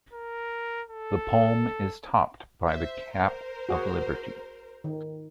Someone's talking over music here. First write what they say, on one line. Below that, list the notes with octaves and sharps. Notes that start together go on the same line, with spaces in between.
The palm is topped by the Cap of Liberty.
A#4
A4
C5 E5
A#4 C5
F#4 G#4
D#3